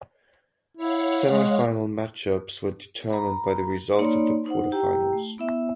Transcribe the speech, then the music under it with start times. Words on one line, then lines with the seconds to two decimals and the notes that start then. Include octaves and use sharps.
Semifinal matchups were determined by the results of the quarterfinals.
0.77 E4 C#5 F5 F#5
1.29 G#3
3.10 A#5 B5
3.99 A#3 D#4 C#5 D5 B5 C6
4.46 D#4 C5 F#5
4.72 E4 G4 G5 A#5
5.13 A3
5.38 B3 E4 E5